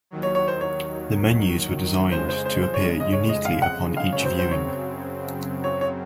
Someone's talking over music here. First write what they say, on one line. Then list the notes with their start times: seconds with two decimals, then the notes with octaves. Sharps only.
The menus were designed to appear uniquely upon each viewing.
0.11 D#2 D#3 F#3
0.23 C#5
0.35 C#5
0.48 C5
0.61 C#5
2.12 F2 C#3 G#3 C5
2.29 C5
2.46 C5
2.62 C5
2.74 C#5
3.00 D#5
3.13 C#5
3.29 D#5
3.45 F5
3.62 F#5
3.97 F5
4.13 F#2 C#3 F#3 C4 C#5
4.25 C5
4.39 C5
4.51 C#5
5.64 C#5
5.81 C#5